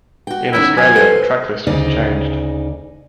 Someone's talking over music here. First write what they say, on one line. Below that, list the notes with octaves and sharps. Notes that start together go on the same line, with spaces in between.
In Australia, the track list was changed.
F#4 G5
E2 D#3 C#4 E4
F#3 G#5
A4 B4 C5
D2 C#3 D#4 D5